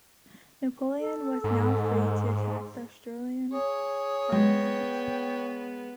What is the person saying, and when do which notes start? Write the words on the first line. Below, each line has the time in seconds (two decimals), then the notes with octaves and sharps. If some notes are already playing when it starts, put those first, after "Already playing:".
Napoleon was now free to attack the Austrian heartland.
1.00 A4
1.44 G#2
3.53 G#4 C#5
4.32 G#3 B3 G5